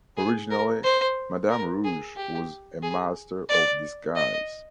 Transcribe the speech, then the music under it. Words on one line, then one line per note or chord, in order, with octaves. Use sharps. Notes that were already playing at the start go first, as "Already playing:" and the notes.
Originally, Madame Rouge was a master of disguise.
G#4
A#4
C5
A#4
G#4
G4
G#4
D5
D#5